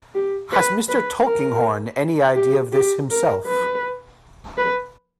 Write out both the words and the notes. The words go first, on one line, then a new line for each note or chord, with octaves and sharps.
Has Mr. Tulkinghorn any idea of this himself?
G4
B4
B4
A#4
G4
G4
A#4
B4
B4